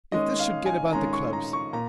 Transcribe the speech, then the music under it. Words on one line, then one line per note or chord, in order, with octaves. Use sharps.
If this should get about the clubs!
D#3 G#3 C#4 D#5
F5
G#5
D#3 G#3 C#4 A#5
C#6
A#5
C#6
A#2 A#5